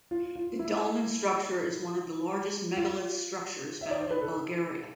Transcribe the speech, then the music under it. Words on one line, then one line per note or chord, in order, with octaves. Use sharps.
The dolmen structure is one of the largest megalith structures found in Bulgaria.
F4
F4
E4
F4
E5
D5
C5
B4
A4